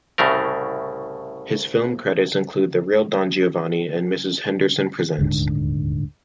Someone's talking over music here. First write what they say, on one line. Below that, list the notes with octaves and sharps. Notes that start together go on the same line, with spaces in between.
His film credits include "The Real Don Giovanni" and "Mrs Henderson Presents".
C2 A2 C#3 A3 A#4
D#1 D2 G#2 D3